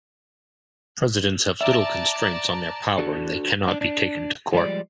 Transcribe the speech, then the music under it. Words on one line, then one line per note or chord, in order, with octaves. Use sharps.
Presidents have little constraints on their power and they cannot be taken to court.
D5 E5 A5 A#5
D4 F#4 A4 D5 A5
D4
D4
F3 G3 G#3 D5